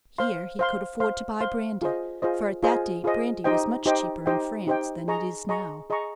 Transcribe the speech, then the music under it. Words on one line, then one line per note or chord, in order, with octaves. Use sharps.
Here he could afford to buy brandy, for at that date brandy was much cheaper in France than it is now.
C5 F5 C6
C5 F5 C6
C5 F5 C6
C5 F5 C6
F4 G#4 C5 D#5
F4 G#4 C5 D#5
F4 G#4 C5 D#5
F4 G#4 C5 D#5
D#4 G4 C5 D#5 G5
D#4 G4 C5 D#5 G5
D#4 G4 C5 D#5 G5
D#4 G4 C5 D#5 G5
G#4 D#5 A#5 C#6
G#4 D#5 A#5 C#6
G#4 D#5 A#5 C#6